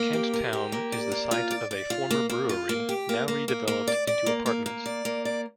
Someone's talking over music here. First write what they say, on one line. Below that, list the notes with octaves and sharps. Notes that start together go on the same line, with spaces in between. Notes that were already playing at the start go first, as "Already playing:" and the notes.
Kent Town is the site of a former brewery, now redeveloped into apartments.
Already playing: A#3
G4
A#4
G4
A#3
D5
A#3
F4
D5
D5
F4
A#3
A#3
F4
A#3
G4
A#3
A#3
A#3
A#3
D5
D5
A#3
A#3
A#3
D5
A#3
D5